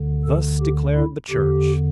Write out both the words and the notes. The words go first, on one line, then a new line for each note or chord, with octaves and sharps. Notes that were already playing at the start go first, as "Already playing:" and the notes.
Thus declared the Church.
Already playing: D2 D3
A4
G4
E4
E2 D3 G4